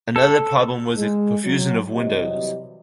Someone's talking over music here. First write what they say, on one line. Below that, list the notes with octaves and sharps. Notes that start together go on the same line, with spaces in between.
Another problem was a profusion of windows.
A4
G#3
F#3
C3 E3 F#3 G3 D#5